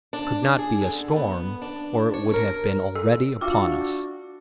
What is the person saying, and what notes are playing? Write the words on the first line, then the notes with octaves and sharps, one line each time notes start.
It could not be a storm, or it would have been already upon us.
D4
G#4
D3
B3
D4
C#5
A#4
A4
D4 F4 F#4 E5 F5 G5 D6 E6